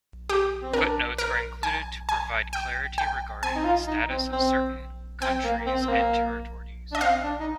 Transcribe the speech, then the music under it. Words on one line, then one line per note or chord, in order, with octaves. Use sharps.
Footnotes are included to provide clarity regarding the status of certain countries and territories.
G4
C4
D4 A#4
A#4
G#5
G#5
G5
G5
C4 G#5
D#4
F4
D#4
C4
C4
C4 G5
A#3
C4
C4
A#3
D4 D#5
C4 F5
D4
D#4